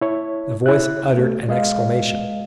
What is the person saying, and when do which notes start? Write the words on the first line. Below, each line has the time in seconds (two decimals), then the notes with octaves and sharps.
The voice uttered an exclamation.
0.01 E4 C#5
0.66 E4 F#6
1.18 A3
1.49 G#3 D#5 F5